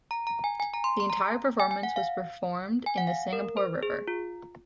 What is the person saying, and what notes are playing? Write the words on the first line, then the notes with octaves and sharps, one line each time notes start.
The entire performance was performed in the Singapore River.
A#5
A#5
G#5
G#5
A#5
C6
C6
A#5
G#5
G#5
F#5
F5
G#5
F#5
F5
A#4
C5
G#4
F4